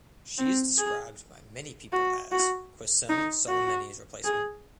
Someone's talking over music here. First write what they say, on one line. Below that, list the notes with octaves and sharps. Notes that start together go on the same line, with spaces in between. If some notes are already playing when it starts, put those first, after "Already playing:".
She is described by many people as "Qasem Soleimani’s replacement".
C4
G#4
F#4
F#4
D#4
F#4
G#4